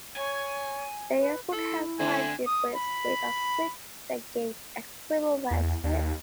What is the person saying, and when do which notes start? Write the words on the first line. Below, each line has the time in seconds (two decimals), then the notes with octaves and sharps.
The airport has five jetways with a sixth gate accessible via stairs.
0.16 C#5 G#5
1.20 B4
1.52 E4 A4
1.99 D3 A3 C4 D4 G#5
2.47 D#6
2.75 B5
5.51 E2
5.84 D#2